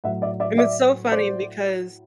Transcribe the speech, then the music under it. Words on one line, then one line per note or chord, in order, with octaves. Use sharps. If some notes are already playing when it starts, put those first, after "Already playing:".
And it's so funny because
A2 F#3 E5 F#5
D5 E5
D5 E5
D5 E5
C5 D5